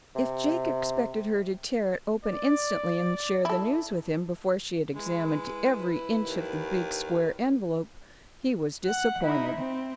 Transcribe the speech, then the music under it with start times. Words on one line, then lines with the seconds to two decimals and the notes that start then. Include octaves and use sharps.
If Jake expected her to tear it open instantly and share the news with him before she had examined every inch of the big square envelope, he was disappointed.
0.16 C3
2.25 D5
3.45 E4 A4
4.95 G#3 E4 B4
6.18 D#2
8.86 F#5
9.24 D#4 E4
9.56 C4